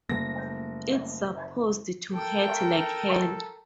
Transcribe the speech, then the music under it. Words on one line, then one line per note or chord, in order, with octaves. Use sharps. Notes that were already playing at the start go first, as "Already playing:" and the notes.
It's supposed to hurt like hell.
F#1 G3 A3 A#3 A#6
A4 A#4 G5